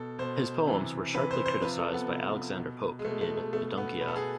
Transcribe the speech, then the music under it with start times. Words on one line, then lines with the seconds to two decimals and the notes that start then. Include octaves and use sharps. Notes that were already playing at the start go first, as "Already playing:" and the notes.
His poems were sharply criticized by Alexander Pope in "The Dunciad".
Already playing: B2 A4
0.19 B2 C5
0.67 C3 E3
1.14 C3 E3 B4
1.31 C5
1.46 C5
1.62 C3 B4
1.65 F3
1.78 A4
1.94 B3
2.10 C3 F3
2.57 B2
2.99 G#3
3.05 B2 A3
3.21 A3
3.37 A3
3.53 B2 A3
3.77 B3
4.01 B2 B4
4.08 A4
4.16 G#4